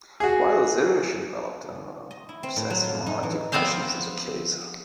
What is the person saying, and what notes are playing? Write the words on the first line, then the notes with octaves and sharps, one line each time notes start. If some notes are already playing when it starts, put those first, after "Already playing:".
While there, she developed an obsessive romantic passion for the Kaiser.
F#4 G#4
D#5
E4
C4
A2
F#3
F4
D#4
E3
F3 B3 C4 C5 F5